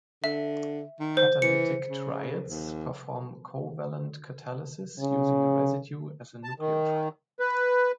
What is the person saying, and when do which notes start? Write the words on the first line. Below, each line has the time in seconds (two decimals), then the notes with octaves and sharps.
Catalytic triads perform covalent catalysis using a residue as a nucleophile.
0.24 D3 E5
1.00 D#3
1.17 C5
1.42 E3 C#7
1.88 C#3
2.48 D#2
4.99 C#3
6.44 A5
6.60 D#3
7.40 B4